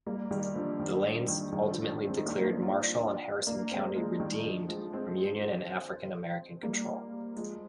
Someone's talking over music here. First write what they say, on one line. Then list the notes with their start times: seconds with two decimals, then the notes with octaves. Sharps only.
The Lanes ultimately declared Marshall and Harrison County "redeemed" from Union and African-American control.
0.06 G3 A#3
0.31 D#3 G3
0.55 D3 F3
0.80 D#3
1.28 D#3
1.52 D#3 G3
1.71 D3 F3
1.89 D#3
2.07 G#3 C4
2.17 D#4
2.25 A#3 D4
2.44 A#3 D4
2.62 D4 F4
2.80 D4 F4
2.98 D4 F4
3.47 A#3 D4
3.71 G#3 C4
3.96 F3 G#3
4.20 D#3 G3
4.44 D3 F3
4.69 F3 G#3
4.93 G#3 C4
6.63 G3 A#3
7.36 F3 G#3